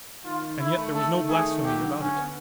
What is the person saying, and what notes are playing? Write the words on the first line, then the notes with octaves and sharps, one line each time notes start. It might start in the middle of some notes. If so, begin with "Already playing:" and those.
And yet there was no blasphemy about it.
D#3 F4
D#3
D#3 E4
A3
A3 A4
D#3
A3 G#4
D#3
F#3 G4
D3
D3 C#4
B3